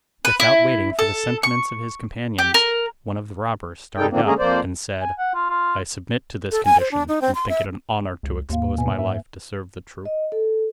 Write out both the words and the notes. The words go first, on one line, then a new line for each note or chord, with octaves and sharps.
Without waiting for the sentiments of his companions, one of the robbers started up, and said, "I submit to this condition, and think it an honor to expose my life to serve the troop."
B4
E4
A4
C#6
G4
A#4
C3 G3 G#3 D#4 A4 G5
D3 D#3 F3 A#3 C4 D4
D3 G#3 A#3 C#4 G#4 A#4
F2 F3 A#3 C5 D5
G#5
F#5
F4
F4
A4
G#5
C5
D4
D#4
C4
C6
E5
C#2
D#2 G#2 A#3 F5
B2 B4 G#5
G#2 E5
D#5
A4